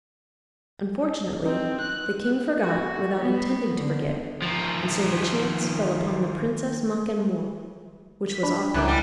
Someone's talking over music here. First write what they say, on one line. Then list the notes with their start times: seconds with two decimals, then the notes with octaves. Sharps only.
Unfortunately, the king forgot without intending to forget; and so the chance fell upon the Princess Makemnoit, which was awkward.
1.46 C4 D#4
1.80 F#6
2.60 F#4
3.17 B3
3.77 D3
4.42 D#3 F3
8.30 B6
8.43 D4 B5
8.74 C#2 F#2 E4 D6 F#6
8.88 G3